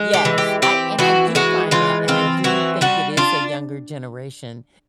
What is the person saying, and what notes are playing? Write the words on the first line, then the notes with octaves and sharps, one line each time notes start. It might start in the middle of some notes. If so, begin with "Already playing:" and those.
Yes, I and I do find that, and I do think it is a younger generation,
Already playing: G#3
G4
E3
G4
C4 G4
E3 F#4
G#3 F#4
E3 F4
C4 F4
E3 F#4
G3 F#4
D4 F4